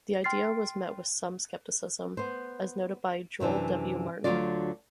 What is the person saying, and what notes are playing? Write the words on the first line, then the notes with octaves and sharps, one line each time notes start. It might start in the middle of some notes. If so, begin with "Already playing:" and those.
This idea has met with some skepticism, as noted by Joel W. Martin.
G5 C6 F6 A6 C7
B3 C5
F#2 C3 E3 D4
D2 D3 E3 F#3 F4 D5